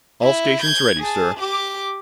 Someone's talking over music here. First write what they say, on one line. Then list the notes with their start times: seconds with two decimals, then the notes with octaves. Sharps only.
"All stations ready, sir."
0.22 E4
0.62 G6 G#6
0.99 G#4 A5
1.38 G4 D6